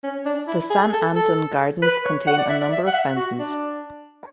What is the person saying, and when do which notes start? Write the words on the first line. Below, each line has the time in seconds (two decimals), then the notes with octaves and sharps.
The San Anton Gardens contain a number of fountains.
0.04 C#4
0.26 D4
0.48 E4
0.70 G#4
0.93 A4
1.16 A4
1.82 B4
2.05 C#5
2.27 F#5
2.38 D5
2.50 E5
2.61 D5
2.72 E5
2.87 F#5
2.95 E5
3.17 F#4
3.39 D4